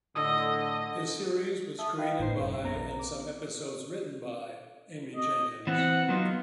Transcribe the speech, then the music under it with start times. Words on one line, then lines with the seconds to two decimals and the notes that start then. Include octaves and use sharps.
The series was created by, and some episodes written by, Amy Jenkins.
0.15 A2 D3 D#5 D#6 E6
1.78 E5 A5 D#6
1.98 B4 D#5 F5 G5
2.18 G1 A2 D#4 C5 C7
2.38 F#2 B2
2.62 B1 B3 A#5
2.99 D6
5.16 D#5
5.67 E3 B3 C4 F#5
6.09 F#3 B3 D#4 F4